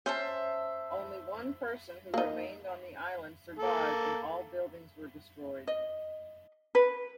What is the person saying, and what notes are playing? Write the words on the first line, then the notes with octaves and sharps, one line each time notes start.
Only one person who remained on the island survived, and all buildings were destroyed.
C#4 C5 E5 A5
A#3 D#4
A#3 A4
D#5
B4